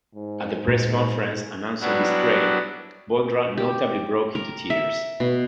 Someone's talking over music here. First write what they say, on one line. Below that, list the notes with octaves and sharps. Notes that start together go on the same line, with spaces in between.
At the press conference announcing this trade, Bondra notably broke into tears.
G#2
A#2
F#3 G3 B3 D4 E4 F#4
G4
A#4
E5
B2